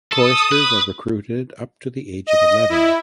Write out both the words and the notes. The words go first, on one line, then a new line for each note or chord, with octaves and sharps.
Choristers are recruited up to the age of eleven.
A4 D#6
B4
D#5
E4